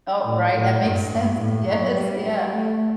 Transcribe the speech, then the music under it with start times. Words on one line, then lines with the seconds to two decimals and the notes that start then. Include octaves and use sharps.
Oh, right, that makes sense, yes, yeah.
0.23 A2
0.52 A2
0.80 G2
1.08 G2
1.36 A2
1.65 F#3
1.94 G3
2.23 G3
2.51 A3